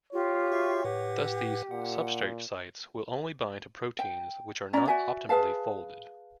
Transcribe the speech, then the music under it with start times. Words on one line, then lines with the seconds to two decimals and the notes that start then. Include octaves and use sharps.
Thus, these "substrate sites" will only bind to proteins which are not optimally folded.
0.12 F4 G4 C#5
0.52 F#4 E5 C#6
0.84 A2 G4 B4 F#5
1.71 A#2 F#5
3.99 G5
4.73 C#4 C#5 D5 A#5
4.88 F#4 D5 E5 G#5
5.29 G#4 B4 F5 A5